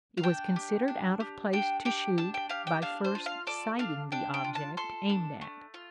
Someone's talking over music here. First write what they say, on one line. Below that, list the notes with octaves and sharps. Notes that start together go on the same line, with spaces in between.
It was considered out of place to shoot by first sighting the object aimed at.
F5
D4 G5
G4
D4
G4
D4 G5
G4 G5
D4 A5
G5
G4 F5
G5
D4 F5
C5
F4
F5
A4 D5
D4 F5
D4 G5
G5
F4
A5
A4 C6
D4
A3
F4